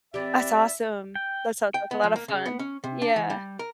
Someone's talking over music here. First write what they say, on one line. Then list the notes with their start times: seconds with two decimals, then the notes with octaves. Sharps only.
That's awesome. That sounds like a lot of fun. Yeah.
0.14 E3 C4 G4 D5 E5
1.15 G5
1.74 G5
1.91 B3
2.04 F3
2.16 A#3
2.28 C#3
2.46 B3
2.59 C#4
2.84 C3
3.02 D4
3.16 E3
3.30 G3
3.59 A#4